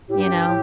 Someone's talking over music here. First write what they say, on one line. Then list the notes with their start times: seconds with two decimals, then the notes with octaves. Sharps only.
You know?
0.09 A2 G4
0.16 G2
0.24 F#2
0.32 G2
0.47 A2